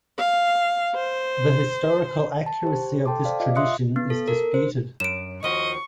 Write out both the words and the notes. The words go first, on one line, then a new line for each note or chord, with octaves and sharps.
The historical accuracy of this tradition is disputed.
F5
C5
A5
G4 C5
A4 G5 A5 C6 D6
C5 D5 F5
F4 D#5 F5 D6
E5 C6 D#6 F#6 C#7
B3
A4
A#4
C5
F#2 D7 E7
D#2 F3 F#4 D#5 C#6